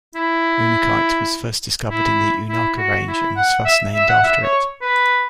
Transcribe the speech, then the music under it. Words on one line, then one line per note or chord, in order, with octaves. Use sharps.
Unakite was first discovered in the Unaka Range, and was thus named after it.
E4
E4
E4
F#4
E4
F#5
E5
E5
F#5
E5
C#5
B4